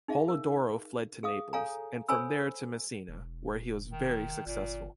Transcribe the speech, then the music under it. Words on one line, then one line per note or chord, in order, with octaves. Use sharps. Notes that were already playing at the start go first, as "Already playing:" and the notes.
Polidoro fled to Naples, and from there to Messina, where he was very successful.
D#4 G#4 E5 F5
A#4
G#4 F5 D#6
A4 C#5 F5 G#5 A#5
A4 C5 C#5 G#5 B5 E6
E1
D#3
G1 A#2